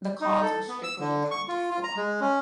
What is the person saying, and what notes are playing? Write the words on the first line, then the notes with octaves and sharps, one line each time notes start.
The cards were strictly accounted for.
D#4
A4
B3
E6
D3
C#6
F4
F4
A#5
G#3
C#4